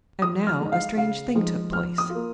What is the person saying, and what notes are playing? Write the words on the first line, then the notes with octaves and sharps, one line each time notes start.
And now a strange thing took place.
F3 D#6
F6
G#3 D#4
F5
C#3 F5
F3 G#3 D#4
F3 F6
D#6
F4
A#3